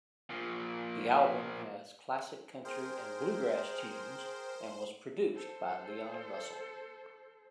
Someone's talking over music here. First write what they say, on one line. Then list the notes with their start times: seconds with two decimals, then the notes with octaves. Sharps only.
The album has classic country and bluegrass tunes and was produced by Leon Russell.
0.30 A#2 F3
2.65 G#4 A#4 C5 G5
5.34 A4 C5